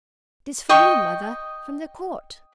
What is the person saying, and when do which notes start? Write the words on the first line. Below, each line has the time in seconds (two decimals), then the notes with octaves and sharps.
"It is for you, mother--from the Court."
0.69 D#5 G5 C#6